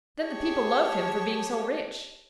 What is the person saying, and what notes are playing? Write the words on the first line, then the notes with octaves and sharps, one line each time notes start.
Then the people love him for being so rich.
G4 G#4 C#5 A5